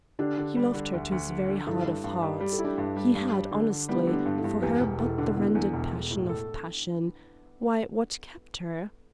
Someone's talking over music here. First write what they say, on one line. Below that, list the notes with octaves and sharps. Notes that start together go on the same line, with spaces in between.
He loved her to his very heart of hearts; he had, honestly, for her but the rendered passion of passion--why! what kept her?
D3 D4 G4
D3
G3
D3
D2
D2
D3
D3
G2 E4 A4
G2
G2
G3
G3 G4
A4
E4
D4 G4
G2
G3
G2
G3
D3
D3
G3 B3 E4
D3
D4 G4
G2
E4 A4
G2
E2 G4 B4
E1 G4 B4
E1 E4 A4
D3 D4 G4
D3 B3 E4
E2
E1
E1
A2
A4